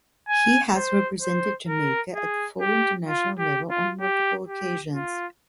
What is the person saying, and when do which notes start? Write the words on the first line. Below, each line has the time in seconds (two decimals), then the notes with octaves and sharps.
He has represented Jamaica at full international level on multiple occasions.
0.29 G#5
0.76 C5
1.22 C5
1.68 A#4
2.15 G#4
2.61 G4
3.08 F4
3.39 G4
3.70 F4
4.01 G4
4.47 G4
4.94 F4